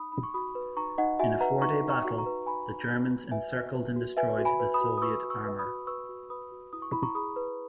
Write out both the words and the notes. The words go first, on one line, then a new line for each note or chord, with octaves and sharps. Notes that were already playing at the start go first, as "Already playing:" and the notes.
In a four-day battle, the Germans encircled and destroyed the Soviet armor.
Already playing: D#4 B5 D#6
D#4 B5
C#6
F#4 B5 D#6
B4
D#4 A#5 C#6
D#4 D#5 F#5
F#4 E5 G#5
B4 F#5 A#5
D#4 A#5 C#6
D#4
A#5 C#6
F#4
A#5 C#6
B4
D#4 G#5 B5
D#4
F#4
B4
B4 E5 G#5
F#4
B4
F#4
B4 E5 G#5
F#4
G#5 B5
B4
B5 D#6
F#4
D#6
B4 C#6 E6
F#4
C#6 E6
B4
B5 D#6
F#4
B4 C#6 E6
F#4
B4 B5 D#6
F#4
E4 D#6
C#6
E4 B5
A#5 C#6
G#4 B5 D#6
B4